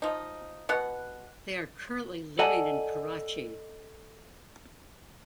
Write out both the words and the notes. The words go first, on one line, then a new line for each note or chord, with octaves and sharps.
They are currently living in Karachi.
F3 D#4
B2 B3 F#5
A4 D5 D#5 F#5 G#5 A5